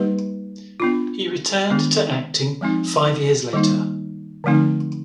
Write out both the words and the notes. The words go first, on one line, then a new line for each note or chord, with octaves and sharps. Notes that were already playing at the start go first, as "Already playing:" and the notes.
He returned to acting five years later.
Already playing: G3 A#3 D#4 G4 B4
B3 D4 F4
D#3 G#3 B3 D4
F3 G#3 C4 D#4
D#3 G3 A#3 D#4
D3 F3 A3 C4 D#4